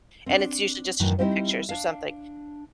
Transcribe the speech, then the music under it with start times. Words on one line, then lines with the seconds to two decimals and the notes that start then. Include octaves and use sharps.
and it's usually just to show pictures or something.
0.26 C4 D4
1.00 F#2 A2 D#3 E3
1.19 G3 C4 D#4 E4
1.69 D4 F5